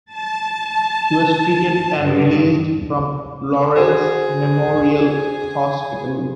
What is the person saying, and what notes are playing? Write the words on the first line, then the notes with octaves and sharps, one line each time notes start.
He was treated and released from Lawrence Memorial Hospital.
A5
G2
F#4 G#4 C5